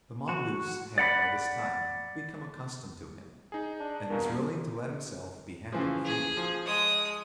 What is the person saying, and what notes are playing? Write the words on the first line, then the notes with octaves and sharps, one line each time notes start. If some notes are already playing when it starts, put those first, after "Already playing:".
The mongoose had by this time become accustomed to him, and was willing to let himself be handled freely.
F#4
D5 F#5 B5
D#4 G#4
D4
E2 G2 B2 A#3
C#3 E3 F3
G#4
F3
G#3 D#6